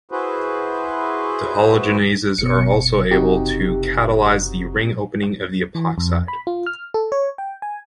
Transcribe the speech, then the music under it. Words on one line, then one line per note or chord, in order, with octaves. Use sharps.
Dehalogenases are also able to catalyze the ring-opening of the epoxide.
E4 F#4 G#4 B4 C5
F#1 B2 C#7
C3 D#4 F#4 G4
E3
F2
B5
F4
F6
A4
C#5
G5
G#5